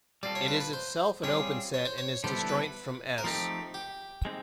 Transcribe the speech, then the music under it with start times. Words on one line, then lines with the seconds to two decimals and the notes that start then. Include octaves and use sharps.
It is itself an open set and is disjoint from "S".
0.23 G3 C4 F4 A4 D5
0.35 C#5
0.48 B4
0.60 B4
0.73 C5
1.23 G3 C4 F4 G#4 C#5
1.74 C#5
1.85 C5
1.98 C#5
2.24 D3 G3 B3 E4 A4 C5
2.49 B4
3.18 A#4
3.24 F3 A3 C4 D#4 G4 A4
3.74 G4
4.25 G#3 C4 D#4